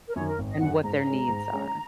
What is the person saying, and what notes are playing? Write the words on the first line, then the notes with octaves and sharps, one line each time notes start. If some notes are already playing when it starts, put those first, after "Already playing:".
and what their needs are.
A#4
F#2 D#3 C#5
A#4
G#1
D#5
F#2 D#3 F#5
G#2 A#5
A#5
G#3 C#4
G#2
G#3 C#4